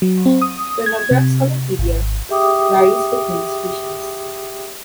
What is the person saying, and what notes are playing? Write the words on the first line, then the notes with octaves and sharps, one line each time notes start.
The number of scolopidia varies between species.
F#3
C4
D#6
G#6
C3
G#1
G4 G#4 E5 G5 D6 D#6